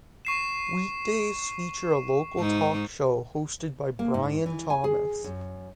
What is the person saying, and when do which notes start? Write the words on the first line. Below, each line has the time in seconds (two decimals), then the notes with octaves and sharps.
Weekdays feature a local talk show hosted by Brian Thomas.
0.25 C#6 C7 E7
2.39 G#2 D#4
3.99 A#3
4.14 G#2
4.46 E3
4.70 G#5
4.84 G#4
5.24 F#2